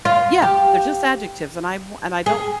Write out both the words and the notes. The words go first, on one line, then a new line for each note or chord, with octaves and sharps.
Yeah. They're just adjectives, and I wa and I don't
F4
G4
G#4